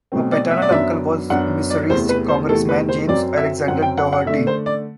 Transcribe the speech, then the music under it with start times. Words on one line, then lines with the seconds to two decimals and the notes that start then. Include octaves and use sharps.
Her paternal uncle was Missouri Congressman James Alexander Daugherty.
0.12 B2 F#3 A3 C4
0.32 D5
0.51 E5
0.62 D5
0.70 F#2 F#3 B3 D4 E5
1.30 F#2 F#3 B3 D4 F#5
1.70 D5
1.90 E2 C3 E3 A3 C5
2.09 B4
2.28 C5
2.49 E2 C3 E3 A3 A4
2.69 B4
2.89 C5
3.08 F#2 F#3 C4 D5
3.37 E5
3.67 F#2 F#3 C4 F#5
3.82 G5
3.98 F#5
4.13 F#5
4.26 D3 A3 D4 E5
4.47 C5
4.66 D5